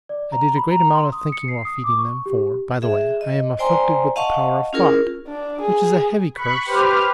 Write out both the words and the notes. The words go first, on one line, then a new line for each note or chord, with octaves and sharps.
I did a great amount of thinking while feeding them--for, by the way, I am afflicted with the power of thought, which is a heavy curse.
D5
A#5
B5
A#5
C6
D#6
C#7
C7
D#6
D6
C#6
G4
G#4 E5
D#5
C5 D5 G5 G#5 A#5 C6
D#5 F5 F#5 A5 C#6
C#4 E4 F4 G#4 A#4
D4
G#4
B5 C#6 F#6
G4 B4 C5 F6